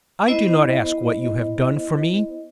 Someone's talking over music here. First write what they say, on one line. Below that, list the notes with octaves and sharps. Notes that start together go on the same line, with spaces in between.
I do not ask what you have done for me.
B3 E4 C5 D#5